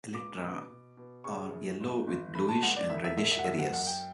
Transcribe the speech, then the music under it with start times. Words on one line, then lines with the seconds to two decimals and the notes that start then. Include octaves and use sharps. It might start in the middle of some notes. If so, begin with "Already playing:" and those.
Elytra are yellow with bluish and reddish areas.
0.15 C#2 D6
0.42 B2
0.70 B2
0.97 B2
1.24 C#3 C#6
1.52 F#2
1.80 G1
2.07 G1
2.35 A3 B5
2.49 A5
2.63 C#2 F#5
2.77 D5
2.90 E1 E5
3.04 E5
3.18 E1 E5
3.32 E5
3.39 F#5
3.45 F#2 E5
3.59 F#5
3.73 F#2 F#5
3.87 G5